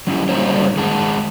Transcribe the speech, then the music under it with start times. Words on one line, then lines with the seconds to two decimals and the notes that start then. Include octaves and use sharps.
"How are you?"
0.07 F#3 C#4 E4 G4
0.29 G3 A#3 D#4 F#4 C5 C#5
0.77 D#3 G#3 G#4 F#5 A5